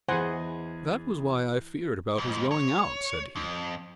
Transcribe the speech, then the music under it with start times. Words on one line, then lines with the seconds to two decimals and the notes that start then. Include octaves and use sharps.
"That was why I feared about his going out," said he.
0.08 E2 E3 G#4 C5 D#5 F#5 G#5
2.18 F2 G#2
2.52 C#5
3.36 F2